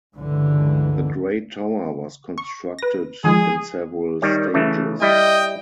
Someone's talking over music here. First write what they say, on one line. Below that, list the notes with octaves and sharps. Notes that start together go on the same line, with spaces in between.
The Great Tower was constructed in several stages.
C#2 G2 D3 E3
C#6
B4 A#6
D#3 F3 G#3 G#4
D#3 G3 C#5
C#3 E3 A3
G3 E4 D#5 G5